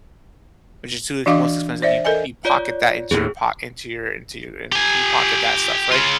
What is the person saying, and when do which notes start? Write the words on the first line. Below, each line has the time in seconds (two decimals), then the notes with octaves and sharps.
which is too the most expensive. You you pocket that into your pock into your into your and pocket that stuff, right,
1.26 E3 D4 F#4 D#5 F5 D6
1.82 C5 D5 E5
2.05 A4 A#4 D#5 G#5
2.45 F4 C#5 D5
3.11 D#2 A2 G#4
4.72 G4 G#5
5.91 C#3 F4